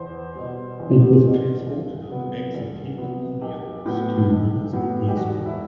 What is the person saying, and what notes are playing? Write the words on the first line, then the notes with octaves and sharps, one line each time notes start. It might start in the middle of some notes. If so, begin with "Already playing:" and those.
It was transported on the backs of people or mules to rivers and airstrips.
Already playing: E2 C5
B2 G3
E2
B2 G3
C2
C3 F#3 B3
C2
C3 F#3 B3
B1 G4
A2 F#3 B3
B1
A2 F#3 B3
G4
E1 F#4
E4